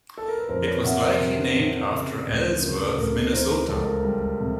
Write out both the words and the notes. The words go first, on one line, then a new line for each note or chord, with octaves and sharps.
It was likely named after Ellsworth, Minnesota.
A4
A#4
B4
F2 A#4 C5
B4 C#5
C3 E5 F#5
A#4 C5
C3
C3
C#3
D2
C#3 A#4
A4
D2 A#4
A#4
E3 A#4 C5
A#4
C#2 A4
A#4
G3
C3